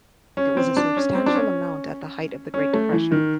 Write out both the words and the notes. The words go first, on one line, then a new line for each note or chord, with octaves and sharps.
It was a substantial amount at the height of the great depression.
C#4
C4
D4
C#4
C4
D4
C#4
C#4
A3
E3
D#3